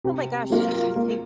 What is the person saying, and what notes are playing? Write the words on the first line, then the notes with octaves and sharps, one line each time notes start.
Oh my gosh, I think
C3
F#3 A#3 F4 A#4
A#3